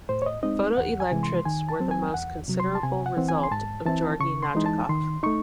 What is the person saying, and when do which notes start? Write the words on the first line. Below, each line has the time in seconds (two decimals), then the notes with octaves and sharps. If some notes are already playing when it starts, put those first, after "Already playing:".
Photoelectrets were the most considerable result of Georgi Nadjakov.
0.09 A2 C5
0.22 C#5
0.26 D#5
0.43 G#3 C4 D#4 D#5
0.77 E2 F#5
1.00 G#5
1.12 C3 E3 G#3
1.23 C6
1.45 D#3 G#5
1.69 A5
1.80 F#3 C4
1.91 G#5
2.14 E2 F#5
2.48 C3 F#3
2.60 C6
2.75 A5
2.83 C3 G#5
3.06 F#5
3.17 E3 C4
3.29 G#5
3.43 C6
3.51 G#2 A5
3.86 E3 C4 E4 A5
4.20 C#3 C#6
4.43 C6
4.55 E3 G#3 D#4
4.66 A5
4.89 D#3 C6
5.23 A3 D#4 C#6